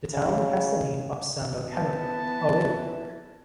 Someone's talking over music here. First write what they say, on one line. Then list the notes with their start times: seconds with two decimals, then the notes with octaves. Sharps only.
The town has the name of Samuel Cameron, a railroad worker.
0.13 C#3
1.70 E3 B3 B4 A5